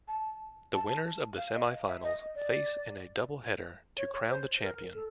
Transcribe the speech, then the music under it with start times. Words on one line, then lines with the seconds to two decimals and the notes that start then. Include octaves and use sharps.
The winners of the semifinals face in a double header to crown the champion.
0.08 A5
0.74 A5
1.37 F5
1.54 D#5
1.70 F5
1.87 E5
2.03 D#5
2.35 D5
3.98 C#5
4.13 C#5
4.29 C5
4.62 A#4
4.95 A4